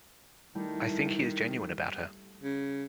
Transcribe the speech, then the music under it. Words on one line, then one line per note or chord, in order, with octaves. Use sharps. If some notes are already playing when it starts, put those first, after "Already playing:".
I think he is genuine about her.
D#3 G3 A3 E4
C#3